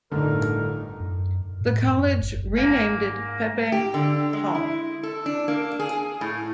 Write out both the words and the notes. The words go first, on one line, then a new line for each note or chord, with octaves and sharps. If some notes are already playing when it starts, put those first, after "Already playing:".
The college renamed it Pepe Hall.
G1 A2 D3 A3 D#4 A#4
F#2
A2
F#2
G1
G#2 A#3
G4
D3
G#3
E4
A4
D4
A#3
G#4
A2